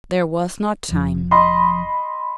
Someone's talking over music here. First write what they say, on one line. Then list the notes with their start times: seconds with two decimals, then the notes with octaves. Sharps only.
There was not time.
0.89 F1 F3
1.31 D#5 B5 C6